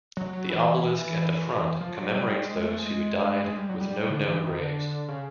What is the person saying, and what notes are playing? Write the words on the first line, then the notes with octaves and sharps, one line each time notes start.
The obelisk at the front commemorates those who died with no known graves.
F#3
F#3
E3
F3
F#3
G3
G#3
A3
G#3
G#3
G3
F#3
G3
D3
E3
D#3
D3
C#3